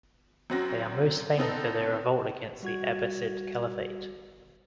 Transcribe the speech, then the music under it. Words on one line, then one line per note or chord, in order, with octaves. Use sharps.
They are most famed for their revolt against the Abbasid Caliphate.
F#2 F#3 C4 C#4 F#4 A#6
B3 C4 D#4 A4
G3 F#4 G#6